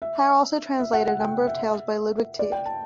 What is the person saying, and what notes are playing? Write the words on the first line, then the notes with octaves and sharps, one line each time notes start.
Hare also translated a number of tales by Ludwig Tieck.
E5
E5
F#5
F#5
G5
E5
D5
G5
A5